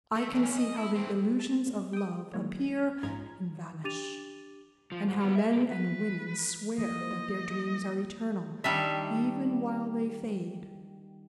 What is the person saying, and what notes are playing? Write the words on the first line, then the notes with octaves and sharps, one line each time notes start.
I can see how the illusions of love appear and vanish, and how men and women swear that their dreams are eternal, even while they fade.
A3
D3 D#3
E3 C#4
D#5
E4
E3 C4
A5
A#2
G5 D#6
D#3 E3 F#3 G#3 A#3 C#5
A#1 G#2 G#3 F4 A#5 G#6
D4 G4 D6 A6 D#7 F7
F3
G#2
G3 B3
E5
C3 A#3
B4
E3 F3 A#3 D#5
C5
D#3 G3 D4 E5